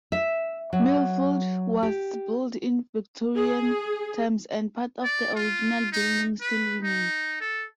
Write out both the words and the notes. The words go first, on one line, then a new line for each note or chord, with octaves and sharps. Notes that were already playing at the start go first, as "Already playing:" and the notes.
Millfield was built in Victorian times and part of the original building still remains.
E5
F#3
G4
G#4
D5
F4
D#4
B4
D#4
A4